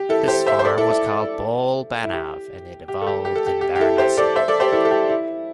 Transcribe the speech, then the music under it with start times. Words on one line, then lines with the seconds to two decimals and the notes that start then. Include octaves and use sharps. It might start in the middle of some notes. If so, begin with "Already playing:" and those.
This form was called "bol-banav" and it evolved in Varanasi.
Already playing: G4
0.09 E4 A4
0.28 G4 C5
0.46 C5 E5
0.59 C5
0.65 A4 D5
0.78 E4 A4
0.90 E4
2.04 E4
2.13 G4
2.88 G4
3.01 A4
3.07 G4
3.25 G4
3.36 A4
3.46 G4
3.61 G4
3.75 G4
3.80 E4 A4
3.98 G4 C5
4.17 A4 D5
4.36 C5 E5
4.48 A4 D5
4.60 G4 C5
4.72 E4 A4
4.85 A4
4.91 G4
5.09 E4